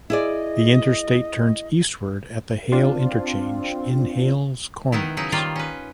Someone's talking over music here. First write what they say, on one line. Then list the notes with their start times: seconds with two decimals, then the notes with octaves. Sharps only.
The Interstate turns eastward at the Hale Interchange in Hales Corners.
0.10 E4 G#4 D5 D#5
2.72 C4 D4 F4
4.92 D#3 B3 D#4 E4
5.17 C#3 F#3 D#4 E4
5.32 D#3 G3 A#3 F4
5.56 C#4 B4